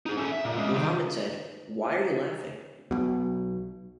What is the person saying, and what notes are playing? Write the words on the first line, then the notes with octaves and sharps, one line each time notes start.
Muhammad said: Why are you laughing?
D#4 G#4
C#4 A4
E5
A#2
G#3 C#4
C2 D#3
B1 B2